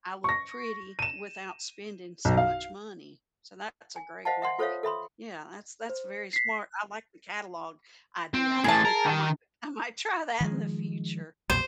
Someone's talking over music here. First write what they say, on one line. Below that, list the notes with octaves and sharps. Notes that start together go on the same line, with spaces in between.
"I look pretty" without spending so much money. So that that's a great way. Yeah. That's that's very smart. I like the catalog idea. I think I might I might try that in the future.
C#6 A#6
D#7 E7
B1
F5
G#5
C5 D#5 F5 F#5 A5
E5 F#5 C6
F4 A4 C5 C#5 E5 F5
A4 E5 B5 C6
C5
B6 C7
C4
A2 E3 G#4 A5
A#4
D#3
D#3 F3 G#3
B1 F2 A#2 C5